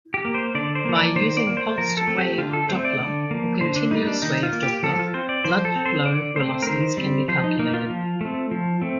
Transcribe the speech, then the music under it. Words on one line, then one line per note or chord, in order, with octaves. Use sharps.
By using pulsed wave doppler or continuous wave doppler bloodflow velocities can be calculated.
G4
A#3
C5
D3 D5
C5
F3 A#3
D5
D#3 C5
D5
A#3
C5
F3 A#4
A4
A3 C4
G4
D3 F4
A4
A3 C4 C5
D5
D3
F3 A#3
D3 C5
D4
G3 A#3 D#4
D4
D#3 D#4
F4
A#3
G4
F3 A4
F4
C4 C5
D5
F3 C5
A4
C4
C5
D3 D5
A3 C4 C5
A#4
D#3 C5
G3 C4
F3 C5
D#4
A#3 D#4
F4
F3
A3 C4
F3
A3 C4